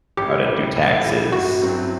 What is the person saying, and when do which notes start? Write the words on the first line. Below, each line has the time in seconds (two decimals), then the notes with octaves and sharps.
How to do taxes.
0.17 A1 G4
0.46 A2 G3
0.76 A1
1.04 A2 G3
1.32 G1 F#4
1.62 G2 F#3 C4 E4